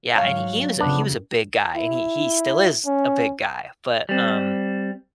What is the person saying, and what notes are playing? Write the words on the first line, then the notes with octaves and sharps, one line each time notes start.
yeah, and he he was a he was a big guy, and he he still is a big guy, but, um,
G#2 F#3 C#5 F5
F2 C#3 B3 D4
E4
C#4
G3 C4